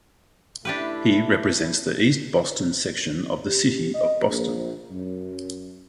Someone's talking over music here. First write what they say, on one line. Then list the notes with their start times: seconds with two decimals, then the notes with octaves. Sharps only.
He represents the East Boston section of the City of Boston.
0.65 A3 D4 E4 G4 B4
3.44 G4
3.93 D#5
4.27 A#1
4.90 F#2